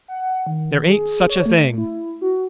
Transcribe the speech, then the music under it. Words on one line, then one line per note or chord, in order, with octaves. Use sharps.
"There ain't such a thing!"
F#5
D#3
G#4
C#5
A3
E4
F#4